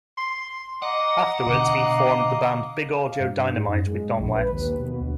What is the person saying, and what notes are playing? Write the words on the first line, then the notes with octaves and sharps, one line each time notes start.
Afterwards, he formed the band Big Audio Dynamite with Don Letts.
C6
D#5 F5 F#5 A#5 D6
B2 D3 D#5
F5
G2
G#2
F#2
G#3
A#1
B4
D#2
B2
D2